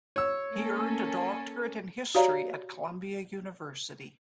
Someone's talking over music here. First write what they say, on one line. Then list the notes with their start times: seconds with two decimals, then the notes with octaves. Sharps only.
He earned a doctorate in history at Columbia University.
0.16 C#5 E6
0.53 A#3 C#4 A4
2.15 F#4 G4 C#5 D5 F5 A#5